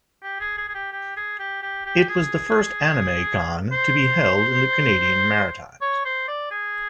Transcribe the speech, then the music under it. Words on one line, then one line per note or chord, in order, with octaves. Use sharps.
It was the first anime con to be held in the Canadian Maritimes.
G4
G#4
G#4
G#4
G4
G4
G#4
G4
G4
G4
G#4
C5
C#5
C5
D5
G#4